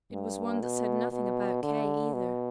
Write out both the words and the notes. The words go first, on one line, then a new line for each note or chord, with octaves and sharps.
It was one that said nothing about Kay either.
G2
B2
B2
D3
B2